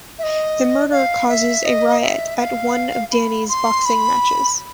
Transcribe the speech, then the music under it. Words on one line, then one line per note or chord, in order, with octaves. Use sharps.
The murder causes a riot at one of Danny's boxing matches.
E5
D#5
F5
E5
D#5
E5
F5
B5
C6
B5